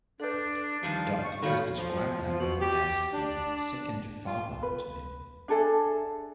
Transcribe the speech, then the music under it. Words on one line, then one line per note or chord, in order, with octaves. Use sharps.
Dott has described Lambie as a "second father" to him.
D4 A4 B4
D#3 F3 G3 F5
C#6
D#3 F4 F#4 A4 C#5 B5
F3
B2
G4
D4
F4
B4
D4 G#4 A4 E5